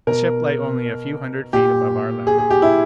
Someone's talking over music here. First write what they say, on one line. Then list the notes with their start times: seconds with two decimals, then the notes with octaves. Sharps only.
The ship lay only a few hundred feet above our level.
0.07 B2 A#4
1.53 A#2 G4
2.27 G#4
2.38 G#4
2.50 G4
2.62 E4